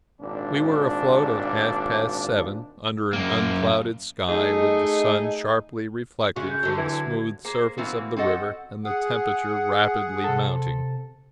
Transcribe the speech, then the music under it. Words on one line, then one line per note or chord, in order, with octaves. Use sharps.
We were afloat at half-past seven, under an unclouded sky, with the sun sharply reflected from the smooth surface of the river, and the temperature rapidly mounting.
G#1 A#2 D4
F#2 A#3
A3 D#4 G#4 D#5
C#3 F#4
G6
D3 F#3
E3 G#6
A#3 G#4 C5
B2 E3 A#3 C4
C4 F#4 A4 D#5 F#5
G#4 F#5
C3 A4